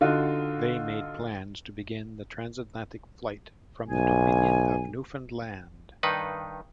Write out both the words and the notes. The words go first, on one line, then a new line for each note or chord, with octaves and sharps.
They made plans to begin the transatlantic flight from the Dominion of Newfoundland.
D3 D#4 F4 F#4
B1 G#5
G2 D#3 D#4 B4